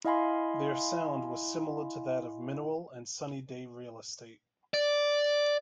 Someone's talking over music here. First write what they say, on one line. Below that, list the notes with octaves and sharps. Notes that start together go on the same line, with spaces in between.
Their sound was similar to that of Mineral and Sunny Day Real Estate.
E4 D#5 F5 G#5 B5 C6
D5